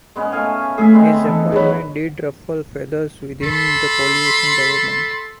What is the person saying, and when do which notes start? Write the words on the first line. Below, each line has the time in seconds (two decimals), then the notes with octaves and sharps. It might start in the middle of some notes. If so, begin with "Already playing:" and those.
His appointment did ruffle feathers within the coalition government.
0.16 G#3 B3 C#4
0.32 A3 F5 G#5
0.78 A3 G#4 A4 E5
0.93 G#3 B3 C4
1.25 E3 B3 D#4 A4
1.52 F#3 G#4 B4 C#5
3.42 A4 B5 C6